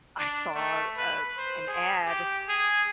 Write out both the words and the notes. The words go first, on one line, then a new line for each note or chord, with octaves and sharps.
I saw, uh, an ad
D4
A3
B4
C5
G#4
G4
G#4